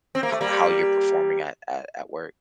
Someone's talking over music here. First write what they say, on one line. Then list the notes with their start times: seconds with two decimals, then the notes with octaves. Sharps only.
h how you're performing at at at work?
0.15 C4
0.23 A#3
0.32 A3
0.41 G3 A#3